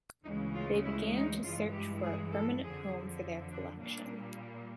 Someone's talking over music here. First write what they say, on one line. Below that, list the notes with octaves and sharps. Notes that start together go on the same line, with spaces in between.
They began to search for a permanent home for their collection.
D2 C#3 E3 G#3 D#4
F4
E4
D#4
G2 E3 G#3 F4
G4
G#4
A4
F2 D3 F3 G#4
D4
A#2 G3 A#3 D4